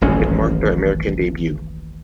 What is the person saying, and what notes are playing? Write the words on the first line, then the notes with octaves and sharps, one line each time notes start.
It marked their American debut.
D#1 A1 F#2 C#4